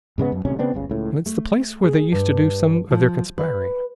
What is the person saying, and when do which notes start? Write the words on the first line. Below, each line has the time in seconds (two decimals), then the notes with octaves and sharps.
And it's the place where they used to do some of their conspiring.
0.18 G#2 C#3 G#3 B3
0.32 F#2
0.45 D#1 D2 C3 C#4
0.59 C#3 B3 C4 D4
0.74 G1 C#2 C#3
0.90 C#2 A2
1.26 A3
1.84 G#4
2.12 G2
2.91 F3
3.38 B4